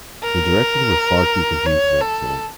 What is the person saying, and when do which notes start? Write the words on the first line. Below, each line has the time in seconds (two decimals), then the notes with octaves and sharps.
The directions were far too confusing to understand.
0.23 A#4
1.66 C#5
2.01 A4